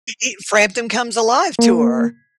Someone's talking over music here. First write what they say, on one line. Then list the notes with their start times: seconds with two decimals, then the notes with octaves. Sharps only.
E Frampton Comes Alive tour.
1.59 A#3